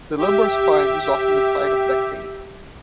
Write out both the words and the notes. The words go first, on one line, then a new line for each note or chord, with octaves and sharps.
The lumbar spine is often the site of back pain.
G4 E5